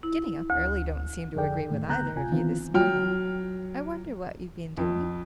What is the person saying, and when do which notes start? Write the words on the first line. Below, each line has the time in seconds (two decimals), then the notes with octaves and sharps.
"Getting up early don't seem to agree with either of you this morning: I wonder what you've been doing?"
0.03 E4
0.50 D2
1.35 F2 D3 G#4 A4 D5 G5
1.70 A2 D#3 A3
1.87 C#2 D3 B3 A#5 F#6 G6
2.16 C#2 C3 F4 G#5
2.32 D#3 E3 B3 C4 F4
2.74 F#3 G5 F6
4.77 F2